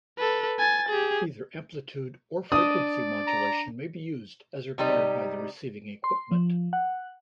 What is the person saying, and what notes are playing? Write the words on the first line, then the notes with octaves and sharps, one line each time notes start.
Either amplitude or frequency modulation may be used, as required by the receiving equipment.
A4 B4
G#5 A6
G4 G#4
D4 D5 D#5 D#6
A#5
C3 G3 D#4
C6
F3
F#5